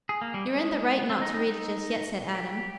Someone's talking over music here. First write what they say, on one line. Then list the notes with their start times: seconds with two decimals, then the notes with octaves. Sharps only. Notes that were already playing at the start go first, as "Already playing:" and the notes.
"You're in the right not to read it just yet," said Adam.
0.09 G#4
0.21 A#3
0.34 G3
0.47 G#3
1.10 C4
1.22 D#4
1.34 D#4
1.47 D#4
2.35 G4